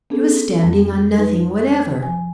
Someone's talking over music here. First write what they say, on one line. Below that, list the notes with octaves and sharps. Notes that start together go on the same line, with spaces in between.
She was standing on nothing whatever!
B3 C#4 D4 G#4 A4
F2 G3
D#4 B4
F3 G#5